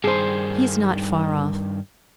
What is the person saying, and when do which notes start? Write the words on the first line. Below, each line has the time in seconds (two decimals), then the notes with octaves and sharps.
He is not far off....
0.04 G2 D#3 G#4 C5